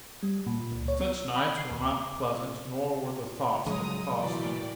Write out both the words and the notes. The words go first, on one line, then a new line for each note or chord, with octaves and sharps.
Such nights were not pleasant, nor were the thoughts that caused them.
G3
A#2
C#2
C#5
B3
E6
B5
C7
D#2
D6
C#3 F3 F#3 G#3 A#5 D#6
B2 E3 A#4 D5 G5